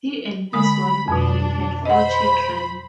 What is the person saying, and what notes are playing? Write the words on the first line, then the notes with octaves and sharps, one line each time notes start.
He and his wife Mary had four children.
D3 G#3 B5 D#6
F2 B2 D4
C5 D#5 F#5 B5